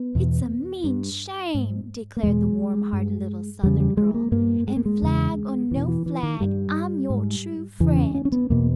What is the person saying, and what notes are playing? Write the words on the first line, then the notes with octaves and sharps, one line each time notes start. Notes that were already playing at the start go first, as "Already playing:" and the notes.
"It's a mean shame," declared the warm-hearted little southern girl, "and flag or no flag, I'm your true friend."
Already playing: B3
E2 B2
G2
G#2
A#3
E2 B2 G#3
G2
E2 C#3 G3
G3
G#3
A#3
G2 A#3
G#3
A#3
G#3
E2 C#3
E2 B2 E3
E3
E3
D#3
G2 G3
G#2
E2 C#3 E3
C#4
C#4
C#4
B3
E2 B2 A#3